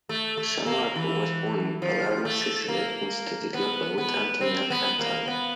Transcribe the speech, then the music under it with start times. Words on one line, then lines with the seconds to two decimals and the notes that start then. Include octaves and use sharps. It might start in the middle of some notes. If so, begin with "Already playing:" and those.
Sammarco was born in Palermo, Sicily, and studied locally with Antonio Cantelli.
0.09 A3
0.37 A3
0.66 A#3
0.96 E3
1.82 F3
2.25 A3
2.68 A#3
3.54 B3
3.98 B3
4.41 C4
4.70 B3
4.99 A#3
5.28 B3